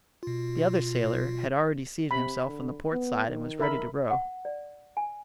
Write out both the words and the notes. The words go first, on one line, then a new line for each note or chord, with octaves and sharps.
The other sailor had already seated himself on the port side and was ready to row.
B2 F4
C3 B5
D3
B3
D#3
A#4 E5 B5
F#5
D5
G#5